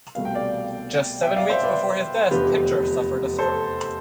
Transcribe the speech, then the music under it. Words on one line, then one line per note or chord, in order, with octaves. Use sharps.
Just seven weeks before his death, Pincher suffered a stroke.
C2 B2 A3 F5
G5
D5 F5
E5 G5
D5 F5
C5 E5
B4 D5
F1 E2 D3 F3 G4 B4
A4 C5